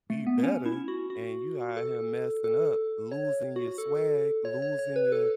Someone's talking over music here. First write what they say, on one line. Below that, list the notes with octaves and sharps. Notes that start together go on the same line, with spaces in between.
be better, and you out here messing up, losing your swag, losing your
A3
B3
C#4
E4
F#4
F#4
A4
A4
C#5
F#4
A4
C#5
C#5
C#5
B4
A4